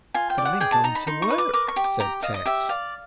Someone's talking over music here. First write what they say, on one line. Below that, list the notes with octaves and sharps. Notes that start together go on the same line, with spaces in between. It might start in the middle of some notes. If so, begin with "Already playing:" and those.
"But I am going to work!" said Tess.
F4 G#5
G5
D5
F#5
G#4 G5
A5
D#4 A#5
B5
D#4 C6
C#6
B4
D6
A#4 D6
C#6
G4
D6
G4 A#5
D#5 F5
D#5
G4 E5
D5 F5